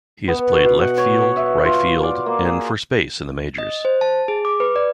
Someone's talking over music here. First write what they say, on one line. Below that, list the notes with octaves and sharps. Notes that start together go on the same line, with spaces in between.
He has played left field, right field, and first base in the majors.
B3
F#4
B2
F#5
C#5
B3
E5
F4
D5
A#3
G#4
D#5
C5
A5
G#4
D6
B4
D5